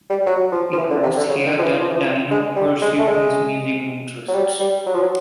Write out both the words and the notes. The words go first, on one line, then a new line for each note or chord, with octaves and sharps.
It was here that Dino pursued his musical interests.
G3
F#3
F3
F3
E3
D3
C3
D3
C#3
D#3
F3
E3
F3
E3
F3
G#3
G3
G#3
A3
G#3
F#3
G3
G3
F#3
F3
F#3